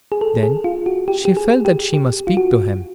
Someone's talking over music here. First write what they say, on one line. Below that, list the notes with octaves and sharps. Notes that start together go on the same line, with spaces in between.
Then she felt that she must speak to him.
G#4
A4
G#4
F4
F#4
G4
G4
G#4
G4
G4
F4
F#4